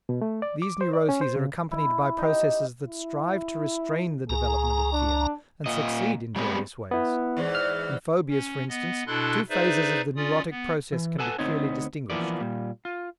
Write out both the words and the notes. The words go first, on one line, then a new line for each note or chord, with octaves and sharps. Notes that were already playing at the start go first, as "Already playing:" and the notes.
These neuroses are accompanied by processes that strive to restrain the development of fear, and succeed in various ways. In phobias, for instance, two phases of the neurotic process can be clearly distinguished.
B2
A3
D5
D6
C5
D5
C#4
C5
C#3
E4
D#4 G4
E4
C#2 G#4 A#5
D4
A#2 D#5
G3 G#3 B3 C4
B3 E4
E2 G#2 E3
F6
C#4
B3 D#5
B2 D4 E4 A4 C6 F#6
D#4 G#4 B4 C5 D5 E5
C#4 F4 D5 D#6
B3
E3
A4 B4 F#5 G#5 A5
D2 B3 C4 D#4 C#5
E3 F3 A#3 B3 D5
A#2 G3
F4